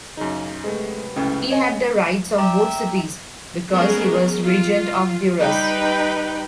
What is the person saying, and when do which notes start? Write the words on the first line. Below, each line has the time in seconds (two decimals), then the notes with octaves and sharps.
He had the rights of both cities, because he was regent of Duras.
0.17 F#2 C#3 D#4
0.64 F#2 C3 G#3 A3 B4
1.16 C#2 A2 C#4
1.51 C#5 D#5 G#5
2.38 D5 E5 G5 A#5
3.72 G#3 B3 C#4 G#4 A#4
4.42 F4
5.39 G3 D#4 B4 G5 B5